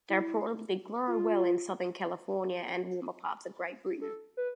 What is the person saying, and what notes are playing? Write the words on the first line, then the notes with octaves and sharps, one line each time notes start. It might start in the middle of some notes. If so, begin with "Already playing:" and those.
They reportedly grow well in Southern California and warmer parts of Great Britain.
E4
F4
A4
B4